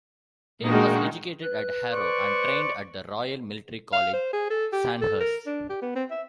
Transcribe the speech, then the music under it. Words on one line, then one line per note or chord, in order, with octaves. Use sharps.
He was educated at Harrow and trained at the Royal Military College, Sandhurst.
A#2 D#3 G#3 D4 D#4 F#4
B4 F#6
C5 D5 C#6
F5
C5
G#4
A4
G4
A4
A#4
D4
G4
B3
C4
E5